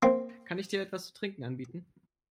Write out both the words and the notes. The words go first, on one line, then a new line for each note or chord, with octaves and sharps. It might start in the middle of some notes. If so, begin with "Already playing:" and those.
Kann ich dir etwas zu trinken anbieten?
A#3 C4